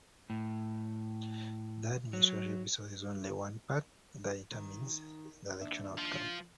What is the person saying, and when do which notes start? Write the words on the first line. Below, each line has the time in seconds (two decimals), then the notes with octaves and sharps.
The administrative resource is only one part that determines the election outcome.
0.30 A2
2.13 F#3
4.51 D#3
5.61 D#2 D4 E5
5.98 F3